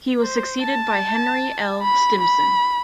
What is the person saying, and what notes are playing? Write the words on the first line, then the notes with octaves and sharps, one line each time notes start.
He was succeeded by Henry L. Stimson.
C5
A5
B5
B5